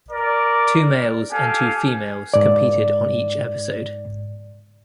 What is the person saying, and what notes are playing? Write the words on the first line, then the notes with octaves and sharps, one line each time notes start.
Two males and two females competed on each episode.
A#4 D5
G4 A4 F5 G#5
G#2 D5